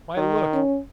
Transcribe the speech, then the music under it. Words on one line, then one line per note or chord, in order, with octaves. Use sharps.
Why, look!
D#3
C#4